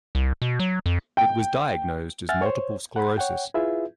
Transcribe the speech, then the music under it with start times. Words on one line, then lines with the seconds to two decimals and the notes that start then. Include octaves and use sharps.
It was diagnosed as multiple sclerosis.
0.15 C2
0.42 B2
0.60 F#3
0.86 F2
1.17 G5
2.29 E5 F#5 G#5 F6 A6
2.42 C5 C#5
2.96 F#5 B5
3.18 C#5 F#5 G5
3.54 E4 F4 G#4 B4 E5